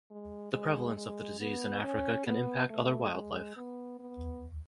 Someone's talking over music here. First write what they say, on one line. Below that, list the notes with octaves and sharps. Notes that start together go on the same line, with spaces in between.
The prevalence of the disease in Africa can impact other wildlife.
G#3
G#3
G#3
B3
C#4
B3
A3
G#3
B3
B3